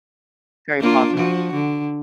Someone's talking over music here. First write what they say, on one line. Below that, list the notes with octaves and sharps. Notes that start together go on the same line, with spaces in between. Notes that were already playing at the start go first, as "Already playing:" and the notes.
very popular.
A#3 D4 F4
F3 F#4
D3